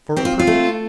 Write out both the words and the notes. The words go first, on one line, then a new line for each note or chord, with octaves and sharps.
For a purpose.
C4 G4
F4
F4
A3